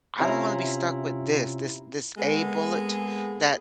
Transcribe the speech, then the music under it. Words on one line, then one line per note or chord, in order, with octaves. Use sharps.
I don't wanna be stuck with this. This this a bullet that
C3 C#4 E4 F4 A#5
G#3 A#3 B3 G#4 A4